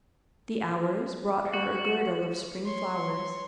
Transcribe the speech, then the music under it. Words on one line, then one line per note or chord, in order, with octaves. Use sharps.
The Hours brought her a girdle of spring flowers.
F#4
C#5 C6